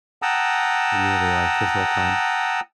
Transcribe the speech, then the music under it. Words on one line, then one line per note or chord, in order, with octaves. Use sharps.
usually, like, his whole time.
F#5 G5 A5 A#5 D#6 E6